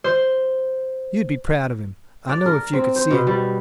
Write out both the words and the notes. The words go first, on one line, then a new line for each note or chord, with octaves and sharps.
You'd be proud of him, I know, if you could see him.
C5
D5
A#4
C4
C5
B2
G3